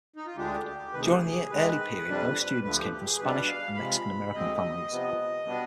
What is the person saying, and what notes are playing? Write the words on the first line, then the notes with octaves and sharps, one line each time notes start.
During the early period most students came from Spanish and Mexican American families.
D#4
F4
D2 D3 G#3 D4 G4
G4
D2 C3 D#3 B4
G#4
G4
G#4
C3 D#3 G#3 C4 B4
F2 C3 G3 D4
D2 D3 F3 B4
G4
G4
G#4
B2 G3 D4 B4
F5
C3 F3 G#3 B5
D2 D3 G#3 C4 D#5
C3 F3 B3
B2 G3 B3 D4